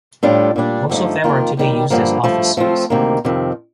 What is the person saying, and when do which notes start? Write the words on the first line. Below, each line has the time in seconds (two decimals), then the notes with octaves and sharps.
Most of them are today used as office space.
0.23 A2 G3 D4 F4 A4
0.56 A#2 G3 D4
0.89 G2 D3 F3 A3 D#4
1.24 F2 D#3 A#3 F4
1.57 D#2 D#3 G3
1.90 G2 D3 F3 A#3
2.24 G2 F3 A3
2.57 F3 A3 C4 F4
2.90 D2 C3 D#3 A#3
3.25 F2 C3 D#3